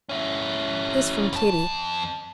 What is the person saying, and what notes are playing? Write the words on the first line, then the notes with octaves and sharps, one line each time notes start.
This from Kitty.
C#4 E4
F2 A5